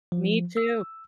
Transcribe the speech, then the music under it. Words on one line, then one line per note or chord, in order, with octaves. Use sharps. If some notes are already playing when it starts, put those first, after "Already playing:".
Me too,
F3
E6